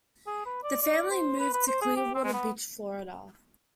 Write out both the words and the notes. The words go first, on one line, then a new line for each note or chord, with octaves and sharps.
The family moved to Clearwater Beach, Florida.
G#4
B4
D5
D5
C5
B4
B4
C5
G#4
G4
C4
G#3
B3